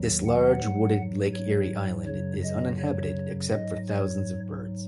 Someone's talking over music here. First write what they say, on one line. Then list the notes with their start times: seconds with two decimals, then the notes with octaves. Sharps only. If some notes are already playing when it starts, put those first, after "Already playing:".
This large, wooded, Lake Erie island is uninhabited except for thousands of birds.
Already playing: D#2 D#3 F#3
0.25 F#5
0.61 G#2 F#3
1.34 C#5
2.07 F#2 C#3 F#3 C#5
2.43 D#5
2.79 C#5
3.53 G#2 F#3 D#5
3.89 C#5